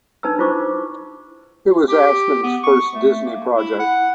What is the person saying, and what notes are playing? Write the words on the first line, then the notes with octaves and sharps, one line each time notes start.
It was Ashman's first Disney project.
D4 D#4 B4 A5 A#5 E6
E4 F4 C5 C#6 D6
G4
B3
C#6
A3
A#3
E4
F#5